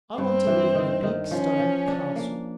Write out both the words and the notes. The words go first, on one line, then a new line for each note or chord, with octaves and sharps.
I want to live in a big stone castle.
G2 C4
E3
D#3
D#3
F3 C#4
F3
D4
A#3